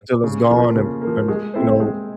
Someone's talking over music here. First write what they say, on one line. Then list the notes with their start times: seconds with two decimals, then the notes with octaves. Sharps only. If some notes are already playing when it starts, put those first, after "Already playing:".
until it's gone and and, you know,
0.24 C#3
0.50 F3 A#3
0.76 C#3
1.02 A#3
1.07 F3
1.28 G#3
1.54 C4 E4 A4 C5
1.80 G#3